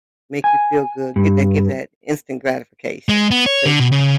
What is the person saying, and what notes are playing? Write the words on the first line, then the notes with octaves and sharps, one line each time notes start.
make you feel good, get that give that instant gratification 'cause
G#5
G2
G#3
B3
C#5
D3
B2
C#3